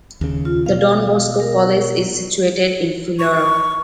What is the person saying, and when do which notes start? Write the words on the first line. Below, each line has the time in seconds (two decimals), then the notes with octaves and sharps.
The Don Bosco College is situated in Fuiloro.
0.21 D#2 C#3
0.45 F4
0.66 B2 F5
1.40 A#4
3.19 C#6